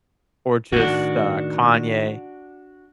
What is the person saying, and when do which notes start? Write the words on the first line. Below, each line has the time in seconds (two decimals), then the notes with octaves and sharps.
or just, uh, Kanye.
0.73 A2 D#3 D4 F#4